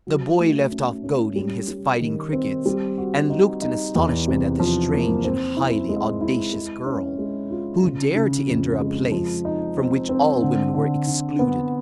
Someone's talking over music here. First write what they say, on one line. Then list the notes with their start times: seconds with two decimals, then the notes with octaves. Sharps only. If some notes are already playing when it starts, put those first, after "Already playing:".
The boy left off goading his fighting crickets, and looked in astonishment at this strange and highly audacious girl, who dared to enter a place from which all women were excluded.
0.07 F#3
0.39 A3
0.71 C#4
1.03 C#4
1.36 G3
1.68 G3
2.00 D#3
2.33 C4
2.66 G3
2.98 F#4
3.30 D#4
3.62 D#4
3.95 E2
4.28 C3
4.60 F3
4.92 A#3
5.25 C4
5.57 E4
5.89 G#3
6.21 E4
6.53 G#3
6.86 C#4
7.18 G#3
7.51 F4
7.83 C#3
8.15 C#3
8.48 F2
8.80 G#3
9.12 F3
9.45 D#4
9.77 C4
10.09 C4
10.42 D3
10.74 D3
11.07 D3
11.39 B3